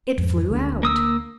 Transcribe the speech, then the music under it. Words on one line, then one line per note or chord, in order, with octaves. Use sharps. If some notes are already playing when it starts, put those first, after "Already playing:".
It flew out.
F2 G#2
D2 G#3 D4
A#3 D#6 E6